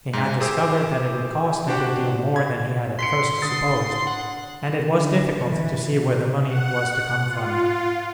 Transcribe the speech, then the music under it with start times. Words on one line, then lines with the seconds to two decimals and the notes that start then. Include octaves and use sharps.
He had discovered that it would cost a good deal more than he had at first supposed, and it was difficult to see where the money was to come from.
0.13 G#2
0.40 G4 G#4 C5 D6 E6
1.68 D4 F#4 G4 C5 F#5 G5
2.36 G#6
2.99 C6 B6 C#7
3.42 D3 D#6 A6
4.06 F#5
4.91 D3
5.46 E3
6.42 F#5
7.25 F4